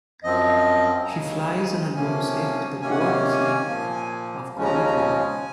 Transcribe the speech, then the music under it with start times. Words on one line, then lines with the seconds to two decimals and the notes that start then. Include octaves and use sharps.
She flies on her broomstick to the port city of Koriko.
0.23 F#2 F3 C4 D#5
1.05 A#5
1.09 D#2 C#3 G#3 G#5
1.95 C3 F3 A#3 C#4 G#5
2.81 C3 D#3 A#3 C#4 G#5
2.90 F#5
2.99 G#5
3.68 A#2 F3 A#3
4.54 D#2 C#3 F3 G#3 C#4
4.65 A#5
4.75 G#5
4.86 A#5
4.97 G#5